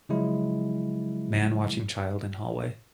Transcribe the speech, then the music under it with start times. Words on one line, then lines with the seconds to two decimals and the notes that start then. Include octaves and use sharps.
Man watching child in hallway.
0.09 C#3 F3 F#3 G#3 E4